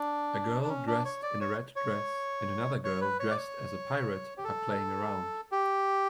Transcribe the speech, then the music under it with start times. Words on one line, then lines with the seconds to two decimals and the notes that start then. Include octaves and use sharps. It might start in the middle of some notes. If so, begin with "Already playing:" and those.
A girl dressed in a red dress and another girl dressed as a pirate are playing around.
Already playing: D4
0.63 D4
0.69 C#4
0.87 D4
1.05 C#5
1.23 D5
1.41 C#5
1.76 C#5
2.84 C#5
3.01 B4
3.20 C#5
3.31 D5
3.37 C#5
4.38 G4
4.44 A4
5.52 G4